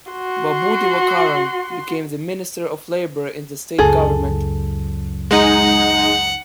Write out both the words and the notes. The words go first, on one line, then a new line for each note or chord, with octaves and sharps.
Babu Divakaran became the Minister of Labour in the state government.
F#4 C6
C#2 F#2 G#4 A4
G#3 D#4 F#5